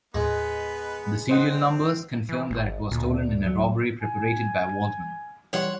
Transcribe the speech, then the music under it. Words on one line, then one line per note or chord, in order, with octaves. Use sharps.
The serial numbers confirm that it was stolen in a robbery perpetrated by Waldeman.
D#2 A2 G#3 B3 D#4 B4
C4 C5 D#5 F#5
E3
G#1
D2 A#2
F#3
G#5
E3 G3 C#5 F#5 C6